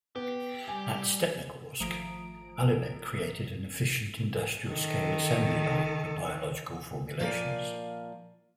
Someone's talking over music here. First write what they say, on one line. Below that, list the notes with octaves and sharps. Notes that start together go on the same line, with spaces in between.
At Stepnogorsk, Alibek created an efficient industrial scale assembly line for biological formulations.
B3 G4
G3 G#5
G#1 F3 A3 A#5 D#6 D7
D#3 A4
A#2 F3 A#3 D5 G#5